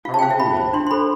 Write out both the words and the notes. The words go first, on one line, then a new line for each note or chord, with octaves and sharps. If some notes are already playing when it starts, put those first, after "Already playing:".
"How are you, Eve?"
F4 F5
A5
G5
C5 F5
E5
F4 B5
C5
D4 C6
C6
A4 C5 B5